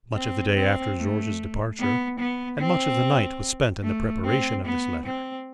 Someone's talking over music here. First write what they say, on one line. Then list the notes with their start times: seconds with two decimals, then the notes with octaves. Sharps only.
Much of the day after George's departure, and much of the night, was spent in the preparation of this letter.
0.15 C4
0.55 C4
0.97 A3
1.79 B3
2.19 B3
2.60 C4
3.83 A3
4.25 C4
4.65 B3
5.06 C4